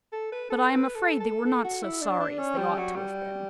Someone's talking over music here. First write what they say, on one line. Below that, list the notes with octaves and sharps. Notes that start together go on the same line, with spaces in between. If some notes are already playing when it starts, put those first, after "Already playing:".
But I am afraid they were not so sorry as they ought to have been.
A4
B4
A4
B4
A4
A4
A4
F#4
E4
D4
D4
C#4
G3
F#3
G3